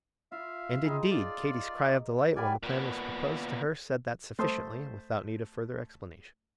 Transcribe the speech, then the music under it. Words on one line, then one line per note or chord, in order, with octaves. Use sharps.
And indeed Katy's cry of delight when the plan was proposed to her said that sufficiently, without need of further explanation.
F4 E5 F5
D#4 G#4 C6
F4 D5
F#3 G4 A#4 B4 D5 G#5
A#2 B3
A3 C5 C6 D#6